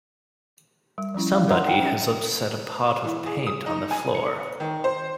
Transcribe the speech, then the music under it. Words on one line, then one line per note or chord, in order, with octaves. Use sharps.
Somebody has upset a pot of paint on the floor.
G3
F3 G3 C#4 E4
E5 F5
A#4 C5 E5 F#5 A#5 C6
D#4 E5 F#5 G5
C#4 E5
E3
G#4
D#6
D#4
G#5
C#7
D#3
C5